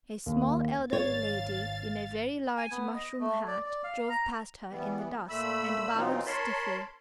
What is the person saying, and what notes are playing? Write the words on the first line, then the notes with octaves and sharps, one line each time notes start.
A small, elderly lady, in a very large mushroom hat, drove past her in the dusk and bowed stiffly.
D#2
G#1 C#5 F5 A6
G#5
B3
D#5
A3
D5
D5
F5
A#5
E3 G3 B3
A#2 A3 B5 E6
B2 E3 F#3 C4 D#4 F4
A#4 C#5 A5 B5 C6